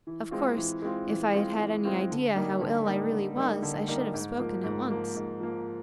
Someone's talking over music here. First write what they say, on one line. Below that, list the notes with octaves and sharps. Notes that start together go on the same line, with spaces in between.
'Of course, if I had had any idea how ill I really was, I should have spoken at once.'
E3
G#3 C4 F4
E3
G#3 C4 F4
E3
G#3 C4 F4
E3
G#3 C4 F4
D3
G3 A#3 D#4
D3
G3 A#3 D#4
D3
G3 A#3 D#4
D3
G3 A#3 D#4
G#2
F3 A#3
G#2
F3 A#3
G#2
F3 A#3